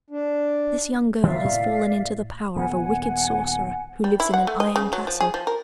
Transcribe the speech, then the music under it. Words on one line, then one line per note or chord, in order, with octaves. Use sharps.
This young girl has fallen into the power of a wicked sorcerer, who lives in an iron castle.
D4
D#3 F#3 G#3 D5 E5 F5
A2
D#1 B3 F#5 G#5
G3
E4
F#5
A3
D#5
C#3
F#3
F3
G#4
F3
A#4